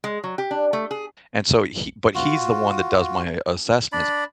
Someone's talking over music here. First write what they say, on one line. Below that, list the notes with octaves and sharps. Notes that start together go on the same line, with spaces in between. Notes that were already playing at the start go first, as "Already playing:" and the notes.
and so he but he's the one that does my assessments,
G#3
F#3
G4
D4
A3
G#4
F4 F#4
D4 D5 B5